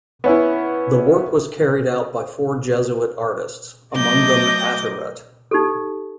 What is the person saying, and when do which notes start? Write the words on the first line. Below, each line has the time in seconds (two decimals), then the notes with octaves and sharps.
The work was carried out by four Jesuit artists, among them Attiret.
0.24 B3 C#4 E4
3.94 F#3 A3 D#5 D6 G6 A#6
5.51 D#4 G4 A4